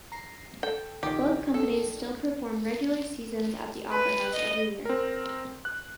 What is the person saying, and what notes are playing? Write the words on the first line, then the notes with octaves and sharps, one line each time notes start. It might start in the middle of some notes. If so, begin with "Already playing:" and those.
Both companies still perform regular seasons at the Opera House every year.
A#5 C7
A4 G5
A#1 D#3 G4
A4
B4
D#5
C4 A#4
F#6